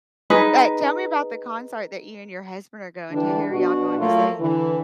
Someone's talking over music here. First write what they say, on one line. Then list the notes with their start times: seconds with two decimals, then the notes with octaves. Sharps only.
uh, tell me about the concert that you and your husband are going to, who are y'all going to see?
0.30 D#4 G#4 B4
3.11 D3 E3 G3 D4
3.49 B2 D4 F#4
3.97 F#3 A3 A#3 F4
4.40 D3 E3